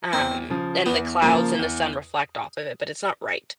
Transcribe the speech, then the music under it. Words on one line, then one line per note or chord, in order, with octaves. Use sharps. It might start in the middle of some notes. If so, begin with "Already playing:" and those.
Um, and the clouds and the sun reflect off of it, but it's not right.
E2 C4
C#3 F3
E2 B3
C#3 F3 A#3
E2